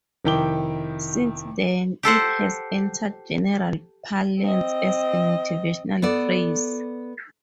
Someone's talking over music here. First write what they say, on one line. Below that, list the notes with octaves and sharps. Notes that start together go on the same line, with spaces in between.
Since then, it has entered general parlance as a motivational phrase.
F1 D#3 E4 G5 D6 G7
G4 A4 C5 F#5
C4 D#5
B3 A4 D5